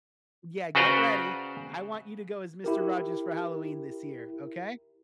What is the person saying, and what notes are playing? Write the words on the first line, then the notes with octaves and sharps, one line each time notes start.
Yeah, get ready. I want you to go as Mister Rogers for Halloween this year, okay?
C#3 F#4 B4 C5 D5 A#5
E4 G4 A#4